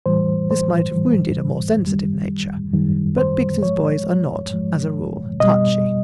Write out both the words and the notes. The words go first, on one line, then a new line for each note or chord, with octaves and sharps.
This might have wounded a more sensitive nature, but Biggs's boys are not, as a rule, touchy.
A2 E3 G3 C5
C5
A2 E3 G3
F#2 D#3 G3
F#2 D#3 G3
C5
G#2 F3 G#3 C#5
G#2 F3 G#3
B2 G3 D#5